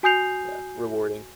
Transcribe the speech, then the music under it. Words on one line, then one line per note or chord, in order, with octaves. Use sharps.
yeah, rewarding.
F#4 G#5 D#6 G6 C7 F7